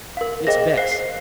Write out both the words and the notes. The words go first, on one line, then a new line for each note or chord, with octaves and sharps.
It's best.
A#4 F5
G#4 C5 D#5 G5 A#6
C5 F5 C7
C7